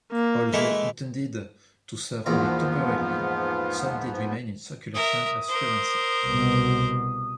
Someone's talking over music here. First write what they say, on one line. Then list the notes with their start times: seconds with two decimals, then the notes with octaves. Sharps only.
Although intended to serve only temporarily, some did remain in circulation as currency.
0.12 A#3
0.53 E3 G#3 A3
2.26 A#1 E2 G#2 F3 B3 F4 A#5
4.95 A#4 E5 D#6
5.48 A#4 C5
6.23 C2 B2